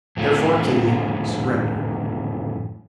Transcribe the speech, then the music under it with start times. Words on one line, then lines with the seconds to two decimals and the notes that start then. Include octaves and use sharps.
Therefore Kitty surrendered.
0.17 F2 A2 D3 F4 G#4